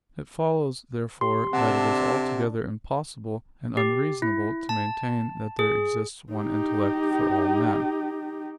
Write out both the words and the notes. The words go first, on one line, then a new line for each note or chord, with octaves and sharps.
It follows, therefore, that it is altogether impossible and unreasonable to maintain that there exists one intellect for all men.
G4 C6
C3 D4 A4 F#5
G4
E4
A5
G#4
D#4 G4